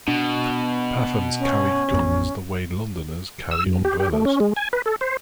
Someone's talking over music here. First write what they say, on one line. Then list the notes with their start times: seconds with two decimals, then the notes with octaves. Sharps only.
Pathans carry guns the way Londoners carry umbrellas.
0.08 B2 D4
1.39 C#4
1.93 A1 F2 B3
3.51 E6
3.66 F#2
3.85 G4
4.00 G4
4.13 A3
4.25 C#4
4.40 G#3
4.56 G#5
4.73 B4
4.86 A4
5.01 C5